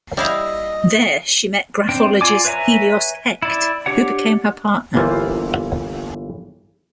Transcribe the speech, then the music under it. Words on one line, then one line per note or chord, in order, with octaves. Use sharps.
There, she met graphologist Helios Hecht, who became her partner.
G3 E4 D#5 F5
C4 D4 G5
F4 D5 G#5 D6
B4 C#5 E5 G#5 A#5
E4 D5
D4 G4 C#5 F#5
G1 E3 A#3 F4 C5